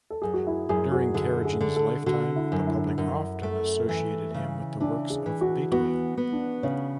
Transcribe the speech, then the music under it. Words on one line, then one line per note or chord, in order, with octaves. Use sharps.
During Karajan's lifetime, the public often associated him with the works of Beethoven.
A4
F#2 G#4
F#4
E4
F#2 G#4
F#4
D3 G#4
G#4
D3
A4
D3 F#4
E4
F#2
E4
F#2
A3
E3
C#3
E3 D4
G#4
E3
F#4
B3 F#4
B3
D4
C#3 C#4